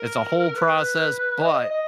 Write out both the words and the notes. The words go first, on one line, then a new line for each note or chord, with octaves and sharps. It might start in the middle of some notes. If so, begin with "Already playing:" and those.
It's a whole process. But,
Already playing: A#4
B4
D#5
D#5